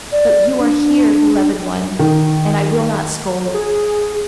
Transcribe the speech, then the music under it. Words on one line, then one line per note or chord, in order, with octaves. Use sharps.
But you are here, beloved one, and I will not scold.
D5
D4
D#3
G#4